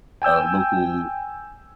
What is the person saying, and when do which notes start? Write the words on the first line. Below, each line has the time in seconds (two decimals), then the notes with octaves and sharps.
a local
0.22 G5 G#5 E6 G6